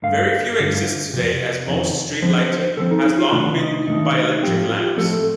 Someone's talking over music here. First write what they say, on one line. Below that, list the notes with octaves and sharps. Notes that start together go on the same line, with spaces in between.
Very few exist today as most street lighting has long been by electric lamps.
G2 D3 A3 F5
G2 D3 A3
F2 C3
F2 C3 D#3
D3 F3 C4 C5
C5
C5
D3 F3 C4 A4
D#4
D#4
F4
C3 D#3 A3 D4
D#4
C3 D#3 A3 D4 D#4
A2 F3 A3 C4 G4
F4
F4
G4
A2 F3 A3 C4 A4